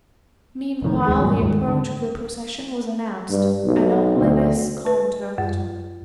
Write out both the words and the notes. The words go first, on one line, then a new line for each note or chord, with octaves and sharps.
Meanwhile the approach of the procession was announced, and only this calmed her a little.
F1 A2 D#3
D#2 G#3
E2 G2 A#2 F#3
D#2 G#2
D3
G2
B1
D2
B4
F#2